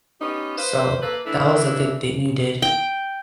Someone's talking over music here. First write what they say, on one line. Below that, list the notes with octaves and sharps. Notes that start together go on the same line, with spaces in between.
So that was a good thing you did.
B3 C#4 D#4 G4
B4 C5 F5
A#3 A4 B4
E3 A3 D4 E4
G5